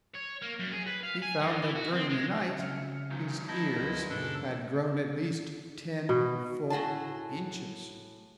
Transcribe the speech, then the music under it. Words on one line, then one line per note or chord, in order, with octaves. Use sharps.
He found that, during the night, his ears had grown at least ten full inches!
C#5
A#3
F#2
G#4
B4
F5
G#5
G2
E3
F#4
C4
G#3
C#3 E5 F6 C#7
D#3 F#3 G6
E4 D#5 A5 G6
D2 G2 A#4 B4
F#2 A#2 C#3 D4 A4
B2
A2 F#4 G#4 A5